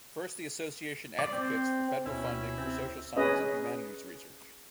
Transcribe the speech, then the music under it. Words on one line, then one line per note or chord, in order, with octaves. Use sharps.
First, the association advocates for federal funding for social science and humanities research.
D5
C4
D2 B2 C#4 E4
C3 C4
C#4 G#4 B4 D#5